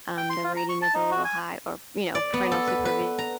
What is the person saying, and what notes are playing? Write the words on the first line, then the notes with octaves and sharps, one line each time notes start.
um, the rating is a little high or, you know, parental supervision,
G5
C6
F4
A#5
C#6
A5
D#4
F#4
G#5
D5
B3
A4
B4
B4
A#5